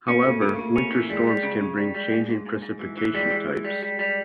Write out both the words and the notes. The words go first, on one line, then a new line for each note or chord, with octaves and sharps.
However, winter storms can bring changing precipitation types.
A#3 C#4
C#3 A3
C#3 A3
A#3
C#3 A3
C#4
E3
G3 G#3
G3
C#3
C#3
G3
G3
G#2
G#2
G#2
G#2
E3
E3
G3 G#3
E3
E3
G3
G3
G3